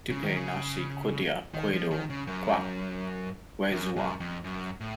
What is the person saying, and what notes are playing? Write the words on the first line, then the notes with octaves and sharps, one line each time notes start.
Tipei nhasi kudya kwedu kwakwezuva.
C#3
D#3
C#3
D#3
F3
D#3
C#3
F#2
F#2
F#2
F2
F#2
A2